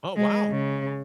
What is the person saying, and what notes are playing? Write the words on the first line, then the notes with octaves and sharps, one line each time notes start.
Oh, wow.
G#3
C#3